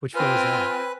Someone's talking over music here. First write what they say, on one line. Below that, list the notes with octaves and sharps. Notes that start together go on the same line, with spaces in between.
Which one was that?
C4 F4 B4 G#5